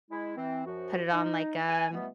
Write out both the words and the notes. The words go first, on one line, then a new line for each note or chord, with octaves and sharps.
put it on, like, um,
G#3 E4
E3 C4
F#2 F3 F#4
D#4
G#5
B2 E3 G3 A3 B3